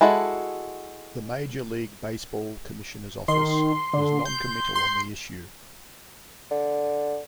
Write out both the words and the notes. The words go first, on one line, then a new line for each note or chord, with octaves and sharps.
The Major League Baseball commissioner's office was noncommittal on the issue.
G#3 E4 F#4 A4
D#3 C6
D3
G6
C6
D3